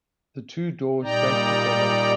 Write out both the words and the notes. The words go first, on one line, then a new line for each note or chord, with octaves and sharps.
The two doors faced each other.
A#2 G3 D#4 D5 G5 A#5